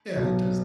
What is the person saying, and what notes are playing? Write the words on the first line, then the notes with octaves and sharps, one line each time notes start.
Yeah, it does.
B1 B2 F#3